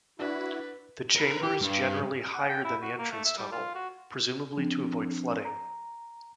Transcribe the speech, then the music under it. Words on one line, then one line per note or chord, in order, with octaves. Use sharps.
The chamber is generally higher than the entrance tunnel, presumably to avoid flooding.
D4 E4 F#4 B4
A#4 B4
G4
G2
F#5
G5
E4
F#4
A#3
A3
E5
G3
F4
F#4
F3 C4 D4
A#5